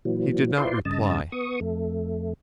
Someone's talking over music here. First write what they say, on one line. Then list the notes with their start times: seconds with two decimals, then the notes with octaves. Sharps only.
He did not reply.
0.05 A#2 E3 F#3
0.58 E4 F4 B4 C5 D5 C6
0.85 G2 C#3 D#5 A5
1.32 B3 C#6 D#6
1.61 F2 A3